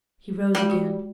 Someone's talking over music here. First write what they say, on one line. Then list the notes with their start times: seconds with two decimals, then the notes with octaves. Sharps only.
He rose again.
0.55 G3 G#3
0.69 F4 F#4